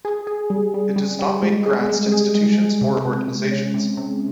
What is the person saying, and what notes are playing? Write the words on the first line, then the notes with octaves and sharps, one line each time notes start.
It does not make grants to institutions or organizations.
G#4
G#4
G3
G3
G3
G3
G#3
G#4
G#3
G#4
G#3
G#3
C3
C3
C3
C#4
C3
C3